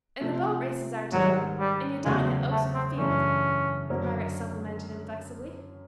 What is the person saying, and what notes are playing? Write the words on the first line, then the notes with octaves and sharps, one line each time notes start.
"And the boat races are to-day, and you dine at Oaks-in-the-Field," Margaret supplemented inflexibly.
C3 F3 A3 C4 F4
G#2 D#3 F#3 G3
G3
E2 C#3 F#3 G#3 A3
A3
C4
F#2 C#3 E3 A3 C#4 D4
F#2 D3 F#3 A#3 C#4